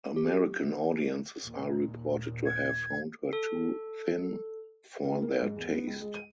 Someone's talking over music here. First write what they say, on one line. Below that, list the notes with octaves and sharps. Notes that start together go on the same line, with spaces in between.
American audiences are reported to have found her too thin for their taste.
G4
D#2 A#2
G#6
A4
C#3
A#3
G#2
E2
B3
C#2
G#3
D#7